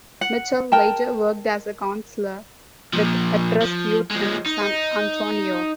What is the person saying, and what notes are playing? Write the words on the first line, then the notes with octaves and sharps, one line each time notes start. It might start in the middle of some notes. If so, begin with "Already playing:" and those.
Mitchell later worked as a counselor with at-risk youth in San Antonio.
F#5
A#4 G5 A5
A#2 F3
F3
F3 G#3
D#4